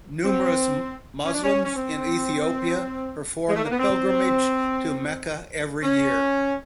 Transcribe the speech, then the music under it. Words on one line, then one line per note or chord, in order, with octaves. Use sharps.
Numerous Muslims in Ethiopia perform the pilgrimage to Mecca every year.
C4
C#4
D4
C#4
C#4
C4
G#3
A3
A#3
B3
C4
C#4